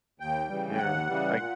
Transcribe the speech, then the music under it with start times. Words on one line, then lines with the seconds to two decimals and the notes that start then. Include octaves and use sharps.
Yeah, I
0.20 D#2 G5
0.49 C#3 E3 G3
0.78 D#2 F#5
1.07 C#3 E3 G3
1.36 A#2